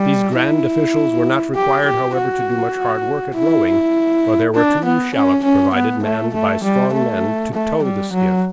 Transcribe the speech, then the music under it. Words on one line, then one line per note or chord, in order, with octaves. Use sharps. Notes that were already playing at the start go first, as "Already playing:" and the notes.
These grand officials were not required, however, to do much hard work at rowing, for there were two shallops provided, manned by strong men, to tow the skiff.
Already playing: G3
E4
G4
G4
F#4
E4
D4
B3
C#4
C#4
B3
A3
A3
G3
A3
A3
G3
F#3